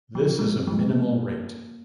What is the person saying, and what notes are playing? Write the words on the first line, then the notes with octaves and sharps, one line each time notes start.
This is a minimal rate.
F3
G#3
C4
F3
G#3
A#3